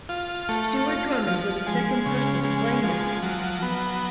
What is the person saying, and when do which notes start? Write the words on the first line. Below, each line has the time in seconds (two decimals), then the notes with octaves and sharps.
Stuart Drummond was the second person to play him.
0.09 F4
0.49 A3
0.88 F4
1.27 F3
1.67 G#3
2.06 C#3
2.44 G#3
2.84 F3
3.23 F#3
3.62 B3